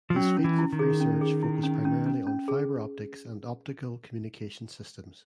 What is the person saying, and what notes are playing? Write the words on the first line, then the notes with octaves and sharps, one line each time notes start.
His fields of research focus primarily on fiber optics and optical communication systems.
F3
F#3 C#4
C#4
E3
E4
D#3
G#4
C#4
G#4
E4
C#4
C#4
C#4
C#4
G#4